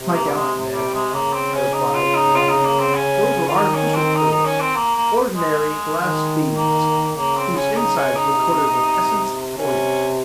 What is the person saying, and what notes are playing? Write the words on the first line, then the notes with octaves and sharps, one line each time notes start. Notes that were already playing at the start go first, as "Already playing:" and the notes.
"My gallant Ned," I replied, laughing, "those were artificial pearls, ordinary glass beads whose insides were coated with Essence of Orient."
Already playing: C3
A#3
G3
G#3
G3
G#3
C#3 A#3
C4
C#4
D#4
F4
D#4
F4
D#4
A#3
C4
C#4
F4
D#3 D#4
C#4
C4
D#4
D#4
C#4
C4
A#3
A#3
G#3
D#3
A#3
C#3 A#3
C4
C#4
C#4
D#4
C#4
D#4
C3
C3 C#4